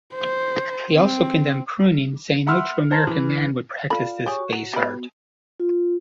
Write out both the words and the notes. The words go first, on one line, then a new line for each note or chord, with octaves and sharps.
He also condemned crooning, saying, No true American man would practice this base art.
C5
C4
E5 F#5 B5 C6 E6 F6
C5 A5 A#5
E3
F4 A4 D5 F5 B5
G4 G#4 C#5 C#6
F#4
F#3
B3 F#4 G4 B4
F4